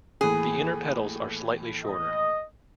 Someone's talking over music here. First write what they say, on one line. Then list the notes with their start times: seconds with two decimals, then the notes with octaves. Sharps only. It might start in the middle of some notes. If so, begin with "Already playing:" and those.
The inner petals are slightly shorter.
0.21 D#2 A2 E3 G#4
1.84 D#5